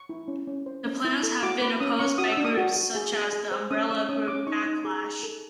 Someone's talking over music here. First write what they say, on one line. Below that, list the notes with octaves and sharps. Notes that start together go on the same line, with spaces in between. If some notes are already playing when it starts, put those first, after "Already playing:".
The plans have been opposed by groups such as the umbrella group Backlash.
Already playing: C#6
E4
C#4
C#4
C5
C#4
E4
A4
F#4 D6
B4 D6
C#4 D#6
C#4 C#6
F#4 D#6
D4 E6
D#6
F#4
F#4
G#4
G#4
G#4
C5
C#4 D#6
C#4 E6
C#4 D#6
C#4 D6
D#4 C#6
D#4
G#4
G#4
A4